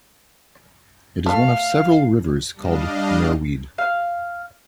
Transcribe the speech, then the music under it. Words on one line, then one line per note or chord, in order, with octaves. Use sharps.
It is one of several rivers called Merwede.
A3 F5 F6
G3 D4 D#5 F5
F5